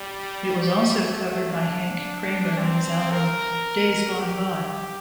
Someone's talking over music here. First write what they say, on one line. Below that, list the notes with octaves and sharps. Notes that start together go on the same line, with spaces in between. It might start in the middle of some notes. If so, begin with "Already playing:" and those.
It was also covered by Hank Cramer in his album, "Days Gone By".
Already playing: G3
A3
D4
C4
A#4
G4